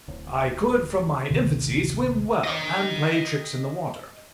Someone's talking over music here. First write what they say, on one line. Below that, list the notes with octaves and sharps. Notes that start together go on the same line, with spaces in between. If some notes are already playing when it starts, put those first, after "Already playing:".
I could, from my infancy, swim well, and play tricks in the water.
D1
A1 D2 C3 D#3
D#5 G5